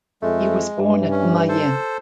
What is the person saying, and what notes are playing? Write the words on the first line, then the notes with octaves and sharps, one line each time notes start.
He was born at Maillen.
F2 G#3 A3
G2 E3
C#4
A4 C5